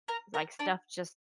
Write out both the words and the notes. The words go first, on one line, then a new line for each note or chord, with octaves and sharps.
like, stuff just
A#4 A#5
A#4 A#5
D4 D5